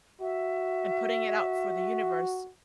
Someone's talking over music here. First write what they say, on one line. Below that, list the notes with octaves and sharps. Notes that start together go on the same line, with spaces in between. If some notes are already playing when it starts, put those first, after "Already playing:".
and putting it out for the universe.
F#4 E5